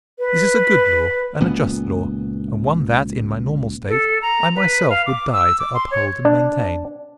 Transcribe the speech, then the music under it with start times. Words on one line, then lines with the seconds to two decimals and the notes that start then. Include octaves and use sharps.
This is a good law and a just law, and one that, in my normal state, I myself would die to uphold and maintain.
0.19 B4
1.40 C#2 A#2 B3
3.89 A4
4.22 A#5
4.56 B4
4.90 F5
5.06 D6
5.33 E6
5.59 D6
5.74 C6
5.91 C#5
6.25 D4